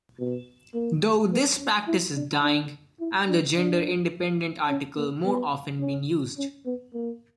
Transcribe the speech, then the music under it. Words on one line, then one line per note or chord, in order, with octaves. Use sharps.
Though this practice is dying, and the gender-independent article more often being used.
B2
A#3
B3
C#4
E4
D4
D4
E4
D4
D4
C#4
A#3
B3
C#4
C#4
B3
A#3